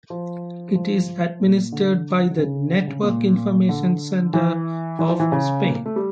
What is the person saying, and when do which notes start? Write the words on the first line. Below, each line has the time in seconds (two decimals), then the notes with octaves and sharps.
It is administered by the Network Information Centre of Spain.
0.10 F3
0.75 F3
1.40 A#2
1.72 D3
2.31 D3
2.38 C#3
2.70 D3
2.87 C#3
3.03 A#2
3.36 A#2
3.69 D3
4.34 E3
4.99 E3
5.09 F3
5.20 E3
5.32 C#3
5.64 A#3
5.86 A3
5.96 G3